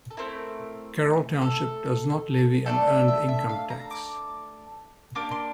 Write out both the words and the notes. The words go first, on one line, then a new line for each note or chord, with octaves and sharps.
Carroll Township does not levy an earned income tax.
A4
A3 C4 E4 A#4
A4
A3 D4 A4 D5
E5
E5
E5
F5
A#5
D6
A#3 D4 G4 D6
C6